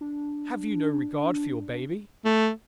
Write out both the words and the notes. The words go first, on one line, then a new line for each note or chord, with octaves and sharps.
Have you no regard for your baby?'
D4
A3